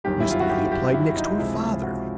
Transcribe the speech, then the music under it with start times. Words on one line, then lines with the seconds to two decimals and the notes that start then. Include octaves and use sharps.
Miss Neelie applied next to her father.
0.04 G1 F#2 D#3 G3 G4
0.20 E4
0.31 F4
0.40 F#4
0.50 G4
0.72 G4
0.94 E4
1.17 D#4
1.39 C#2 C3 F3 G#3 E4
1.61 F4
1.83 F#4